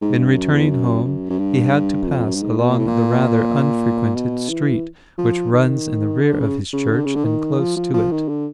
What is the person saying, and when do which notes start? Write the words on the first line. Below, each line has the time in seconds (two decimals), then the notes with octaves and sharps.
In returning home, he had to pass along the rather unfrequented street which runs in the rear of his church, and close to it.
0.01 G#2
0.18 G2
0.35 F#2
0.53 E2
0.70 F#2
1.04 F#2
1.30 F#2
1.39 G2
2.03 F#2
2.07 F2
2.25 F#2
2.35 G2
2.42 G#2
2.59 B2
2.69 A#2
2.78 A2
2.87 A#2
4.15 B2
4.49 E3
5.18 F3
5.53 D#3
6.22 D3
6.39 C#3
6.73 C#3
6.90 D3
7.05 C#3
7.15 D3
7.25 D#3
7.59 F3
7.77 F3
7.94 F3
8.11 D#3
8.29 D3